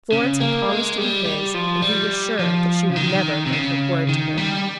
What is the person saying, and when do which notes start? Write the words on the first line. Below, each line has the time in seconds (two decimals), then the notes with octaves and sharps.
Florence had promised to be his, and he was sure that she would never break her word to him.
0.12 C#3
0.40 A#3
0.69 G#3
0.97 G3
1.26 G3
1.54 F3
1.82 G3
2.39 F3
2.90 C#3
2.96 D#3
3.46 C3
3.53 C#3
4.09 D#3
4.38 G3